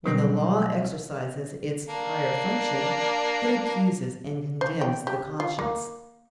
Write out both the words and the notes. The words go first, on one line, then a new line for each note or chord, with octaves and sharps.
When the Law exercises its higher function it accuses and condemns the conscience.
B2 F#3 G3 C4 D#5
A#3 D4
C5
G5
G4
F4
A#3